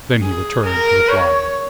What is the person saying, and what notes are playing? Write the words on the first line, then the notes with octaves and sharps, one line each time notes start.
Then he returned to the flier.
G#4
A#4
C#5